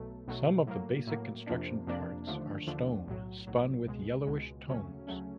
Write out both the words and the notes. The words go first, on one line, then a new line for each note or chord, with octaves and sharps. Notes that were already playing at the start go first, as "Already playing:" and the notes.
Some of the basic construction parts are stone spun with yellowish tones.
Already playing: B1 B2 F#3 A3
B1 B2 F#3 A3
A2 F#3 A#3
A2 F#3 A#3
F2 C3 F3 A#3 D4
F2 C3 F3 A#3 D4
D#2 D3 F3 A3 D4
D#2 D3 F3 A3 D4
B1 A2 F#3
B1 A2 F#3
C#2 B2 G#3
C#2 B2 G#3
D2 C#3 F#3 A3 C#4
D2 C#3 F#3 A3 C#4